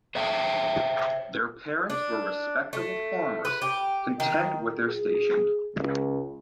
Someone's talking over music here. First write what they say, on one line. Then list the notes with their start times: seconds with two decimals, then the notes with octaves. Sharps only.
Their parents were respectable farmers, content with their station.
0.15 C5 C#5 E5 G5
1.90 D4
2.73 A3
3.45 B4
3.62 G4
4.20 D#3
4.87 G#4
5.76 C#2